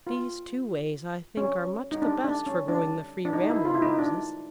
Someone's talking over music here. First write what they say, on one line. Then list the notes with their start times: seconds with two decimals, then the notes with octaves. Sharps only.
These two ways I think are much the best for growing the free, rambling Roses.
0.07 F4
1.37 C#4
1.92 D#4
2.02 D4
2.24 D4
2.46 C#4
2.68 D4
3.25 D4
3.33 D#4
3.43 D#4
3.50 E4
3.65 F4
3.74 E4
3.82 D#4
3.99 D4